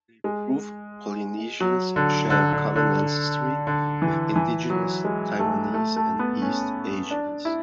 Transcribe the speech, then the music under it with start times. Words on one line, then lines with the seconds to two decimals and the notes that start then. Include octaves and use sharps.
They prove Polynesians share common ancestry with indigenous Taiwanese and East Asians.
0.24 G#3
1.60 F#3
1.96 D3
2.30 D3
2.52 D3
2.76 D3
3.67 D3
4.02 E3
4.36 E3
4.70 F#3
5.04 G#3
5.39 A3
5.74 A3
5.96 A3
6.19 B3
6.42 C#4
7.11 D4
7.45 E4